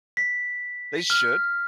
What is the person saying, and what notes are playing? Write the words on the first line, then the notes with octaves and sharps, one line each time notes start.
They should.
B6
F6